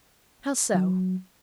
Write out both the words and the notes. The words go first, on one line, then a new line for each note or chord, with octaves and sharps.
"How so?"
F#3